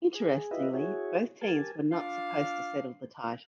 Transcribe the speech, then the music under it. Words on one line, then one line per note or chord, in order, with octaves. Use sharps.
Interestingly, both teams were not supposed to settle the title.
G#4
E4 F4 G4 B4 D#5 E5
E4 F#4 G#4 C#5
G4 A#4 G#5 A5
D4 F4 F5